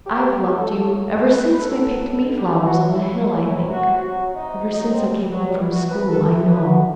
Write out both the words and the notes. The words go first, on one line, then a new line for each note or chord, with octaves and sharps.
I've loved you--ever since we picked mayflowers on the hill, I think--ever since I came home from school, I know.
F#3 G4
F#3
G4
A2
A4
A2
F#3
F#3
B2 B4
B2
B4
F#3 A4
F#3
B2
B2
F#3 G4
F#3
F#4
A2
E4
A2
F#3
F#3
E4
C3
F#4
C3
F#3 F#4
F#3
C3 D#4
C3
F#3 D#4
F#3 C4
B2 G3
B2 F#3
E3 G3
E3 F#4
C3 B4
C3 A4
E3
E3 B4
A2 F#4